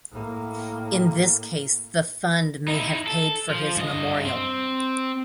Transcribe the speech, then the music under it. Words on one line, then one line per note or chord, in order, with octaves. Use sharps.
In this case the fund may have paid for his memorial.
A2 A#3
D#4 E4
A4
F3
G2 D#5
C4